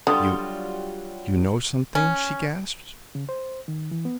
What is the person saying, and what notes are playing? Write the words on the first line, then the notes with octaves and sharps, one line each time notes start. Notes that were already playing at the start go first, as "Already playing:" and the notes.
"You--you know something?" she gasped.
D3 F#3 G3 F4 D#6
C#4
C#3
C5
D#3
E3
B3